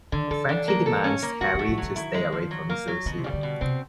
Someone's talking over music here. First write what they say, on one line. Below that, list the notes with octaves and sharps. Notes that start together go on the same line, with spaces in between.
Frankie demands Harry to stay away from Suzy.
D3 D#3
E3 A4
D4
A#3
A4
C#4
A#3
D#3 F#4
E3 A3
F3
F#3
E3
D#3 E4
G#3
F3
F#3
A#3
F#3
B2 D#3
C3
C#3 G3
D3
B2
C3 C4